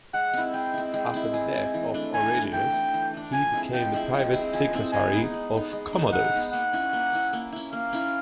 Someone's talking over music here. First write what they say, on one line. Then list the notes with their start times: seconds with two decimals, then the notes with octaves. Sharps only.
After the death of Aurelius he became the private secretary of Commodus.
0.14 G#3 F#5
0.33 C4 E4
0.53 G#3 G5
0.74 C4 E4
0.94 G#3 G5
1.14 C4 E4
1.33 G#3 G#5
1.53 C4 E4
1.74 E3
1.94 A3 D4
2.14 E3 G#5
2.34 A3 D4
2.53 E3 G5
2.73 A3 D4
2.94 E3
3.13 A3 D4
3.33 F3 G#5
3.53 G#3 C4 E4
3.73 F3 G5
3.94 G#3 C4 E4
4.13 F3 G5
4.33 G#3 C4 E4
4.53 F3 G#5
4.73 G#3 C4 E4
4.92 G#3 G#5
5.13 B3 D#4
5.34 G#3
5.54 B3 D#4
5.73 G#3
5.93 B3 D#4
6.12 G#3 F#5
6.33 B3 D#4
6.52 A#3 F#5
6.73 C#4 E4
6.93 A#3
7.13 C#4 E4
7.33 A#3
7.52 C#4 E4
7.72 A#3 F5
7.93 C#4 E4